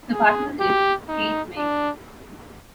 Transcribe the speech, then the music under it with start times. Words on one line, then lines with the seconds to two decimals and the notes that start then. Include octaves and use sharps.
Her partner is Keith Miles.
0.12 G#4
0.60 G4
1.09 D#4
1.57 D4